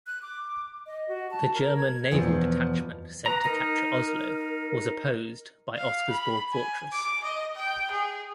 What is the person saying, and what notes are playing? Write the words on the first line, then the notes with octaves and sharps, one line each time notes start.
The German naval detachment sent to capture Oslo was opposed by Oscarsborg Fortress.
F#6
D6
D#5
F#4
A5
A#4
G#6
E2 B2 F3
B4 A#5
D#4 A#4
F5
B5
G#5
D6
D#5
G5
G#4